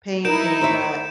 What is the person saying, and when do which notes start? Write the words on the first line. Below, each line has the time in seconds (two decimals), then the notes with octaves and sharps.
painting, but,
0.25 D#4 E4 A#4 B4 G6 D7 E7
0.61 C5 C#5 E5